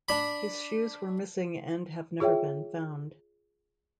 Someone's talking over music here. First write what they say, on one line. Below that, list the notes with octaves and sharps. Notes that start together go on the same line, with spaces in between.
His shoes were missing and have never been found.
D4 B5
F4 G#4 C#5 E5 G5